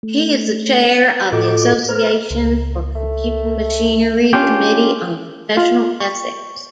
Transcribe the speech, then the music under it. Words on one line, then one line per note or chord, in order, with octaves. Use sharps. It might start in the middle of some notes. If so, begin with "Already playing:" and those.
He is the chair of the Association for Computing Machinery Committee on Professional Ethics.
A3
A2 F4 F#4 A4 D#5 D6
B4 C5 A#5 F6
C#2
A3
C#4 D4 F4 G4
F4
C#6